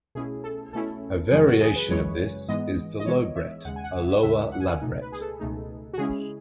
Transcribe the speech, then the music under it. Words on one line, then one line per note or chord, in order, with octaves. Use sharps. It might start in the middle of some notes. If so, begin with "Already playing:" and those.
A variation of this is the lowbret, a lower labret.
B2 A3 C#4 E4 G#4
A4
B2 A3 C#4 E4 A4
F#2 C#3 E3 G#3 G#4
F#4
G#4
B4
F#2 C#3 E3 G#3 C#5
G#2 E3 G#3 B3 D#5
D#5
G#2 E3 G#3 B3 C#5
E5
D#2 C#3 G#3 F#5
G#5
F#5
E5
D#2 C#3 G#3 E5
F#5
G#5
F#5
C#2 B2 A3 D#4
B4
G#4
A4
C#2 B2 A3 D#4
F#4
C#3 G#3 C#4 E4 G#4